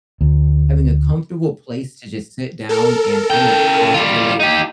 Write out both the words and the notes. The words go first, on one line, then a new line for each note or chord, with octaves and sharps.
having a comfortable place to just sit down and kind of postulate,
D2
A4 A#4
C#3 G5
G3 F4
D#4 G4